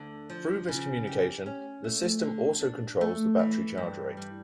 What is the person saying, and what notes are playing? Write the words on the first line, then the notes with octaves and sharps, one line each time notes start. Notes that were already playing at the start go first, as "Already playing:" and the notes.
Through this communication, the system also controls the battery charge rate.
Already playing: D2 D3
F3
C#3
G4
C#4
A3
D3
D4
A3
E3
G2
G3